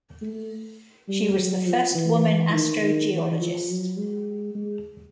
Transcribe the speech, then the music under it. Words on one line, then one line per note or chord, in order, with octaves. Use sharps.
She was the first woman astrogeologist.
A3
G3
F#3
F3
E3
D#3
D#3
E3
F3
F#3
G#3
G#3